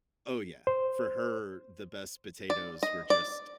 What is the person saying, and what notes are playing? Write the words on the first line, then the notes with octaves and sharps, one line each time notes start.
Oh, yeah. For her, the best potatoes were just
C5
D5
D#5
D5